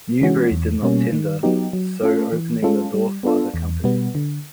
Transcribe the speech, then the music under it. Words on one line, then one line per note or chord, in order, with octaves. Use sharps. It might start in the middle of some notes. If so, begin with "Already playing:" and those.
Newbury did not tender, so opening the door for other companies.
E3 G#3 C#4 F#4
E2
B2 G3 A#3 C#4
D#3
F#3 B3 D#4 G4
F#3
A3 C#4 F4 A4
E3
G#3 C#4 F4 A4
G3
B3 D4 F4 A4
E2
B2 G3 B3
D3